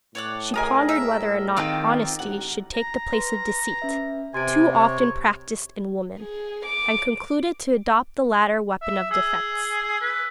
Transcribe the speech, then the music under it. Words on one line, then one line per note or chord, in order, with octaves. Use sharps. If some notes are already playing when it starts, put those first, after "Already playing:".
She pondered whether or not honesty should take the place of deceit--too often practised in women--and concluded to adopt the latter weapon of defence.
A2 C#5 D5 F#6
G#4 A#4 D#5 G#5 A#5 D#6
E5
D#3 C4 F4 G4
A1 F#5
A#5
B4 C6
C#4 B4 E5
C3 G#5 C6 A6 D7
C#5
G#4
D6
E5
G#4 E6
B4